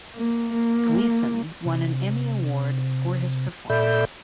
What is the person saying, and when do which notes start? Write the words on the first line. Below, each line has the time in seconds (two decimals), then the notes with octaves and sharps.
Gleeson won an Emmy Award for his performance.
0.15 A#3
0.54 A#3
1.65 C3
3.70 A#2 A4 D5 E5 B5 G6